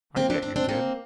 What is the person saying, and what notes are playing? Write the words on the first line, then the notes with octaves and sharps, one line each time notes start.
"I get you, kid."
A#3 C4
C4 D4
C4 D4
C4 D4
A#3 C4